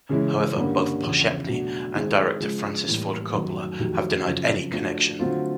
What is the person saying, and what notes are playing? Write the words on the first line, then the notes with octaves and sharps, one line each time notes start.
However, both Poshepny and director Francis Ford Coppola have denied any connection.
C#3 E3 G#3 C#4 E4
G2 D3 G3 A#3 C#4
E2 C#3 F3
B2 F#3 A3 D4
D#3 G#3 C4 E4 G#4
C#3 F3 G#3
A2 E3 G3 A#3
F#2 D#3 F#3 A3
F2 C3 D#3 F#3 A3
F#2 C#3 F3
F3 A3 D4 F#4
D3 F#3 A3 C4 F4